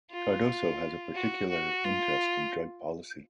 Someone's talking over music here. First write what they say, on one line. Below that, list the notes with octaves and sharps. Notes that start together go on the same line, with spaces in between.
Cardoso has a particular interest in drug policy.
F4
F#4
F#4
F4